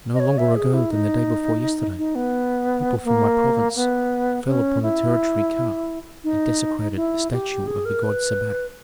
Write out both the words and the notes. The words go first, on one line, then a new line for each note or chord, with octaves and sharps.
No longer ago than the day before yesterday people from my province fell upon the territory Ka and desecrated a statue of the god Sebak.
D#5
C#5
E5
G#4
E4
D#4
D#4
B3
A#3
B3
C#4
E4
D#4
E4
G4
G#4
A#4
B4